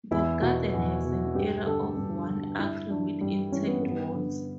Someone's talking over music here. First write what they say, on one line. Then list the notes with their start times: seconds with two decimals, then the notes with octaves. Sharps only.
The garden has an area of one acre with intact walls.
0.11 E2 E4
0.42 B2 F#4
0.73 E2
1.05 B2
1.35 G2 G4
1.67 D3 A4
1.97 G2
2.29 D3
2.59 G2 E4
2.90 E3 D4
3.21 G2 G3
3.52 E3 C#4
3.68 B3
3.83 G2 B3
4.15 D3